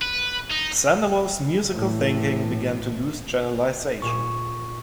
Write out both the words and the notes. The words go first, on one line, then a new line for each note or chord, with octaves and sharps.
Sandoval's musical thinking began to lose channelization.
B4
D#4
A2 E3
A#2 G#4 C#6